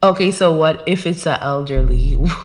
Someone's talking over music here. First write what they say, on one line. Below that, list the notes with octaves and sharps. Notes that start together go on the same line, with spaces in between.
Okay, so what if it's a elderly, wo
D#1